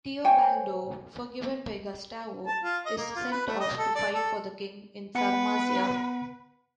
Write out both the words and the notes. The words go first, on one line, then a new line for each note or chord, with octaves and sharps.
Teobaldo, forgiven by Gustavo, is sent off to fight for the king in Sarmazia.
C5 C#5 G5 G#5
A5
F4
D#5
A#3
F4
B4
A3
D#5
A4
D5
A4
B3 B4 F#5 C#7